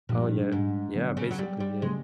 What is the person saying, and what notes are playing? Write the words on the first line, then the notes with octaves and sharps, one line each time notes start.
Oh, yeah Yeah. Basically, yeah.
G2 A#2 F3 A3
G#2
D3 F#3 B3 D4
C#3
F#3
G3
G3
C#3 F#3 G#3 A3